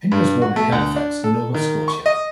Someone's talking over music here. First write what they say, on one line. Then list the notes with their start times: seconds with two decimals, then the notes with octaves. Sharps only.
Henry was born in Halifax, Nova Scotia.
0.12 G2
0.42 F#4
0.56 A3
0.72 D2
0.96 D4
1.24 A4
1.54 D#3
1.88 C#6
2.06 D#5